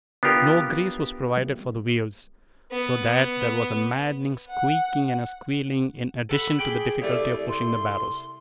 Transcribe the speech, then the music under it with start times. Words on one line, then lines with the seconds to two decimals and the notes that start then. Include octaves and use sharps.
No grease was provided for the wheels, so that there was a maddening squeaking and squealing in addition to the difficulty of pushing the barrows.
0.23 B3 D4 F4 G4 A#4
2.72 B3
4.48 F#5
6.29 A4 F#5 B5
6.59 G#4 G5 B5 D6
7.02 C2 A3 D5
7.49 C6